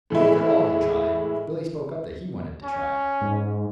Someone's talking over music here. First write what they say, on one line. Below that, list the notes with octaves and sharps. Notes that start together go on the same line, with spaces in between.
But after all had tried, Billy spoke up that he wanted to try.
A2 E3 G#3 E4
C#4
G#2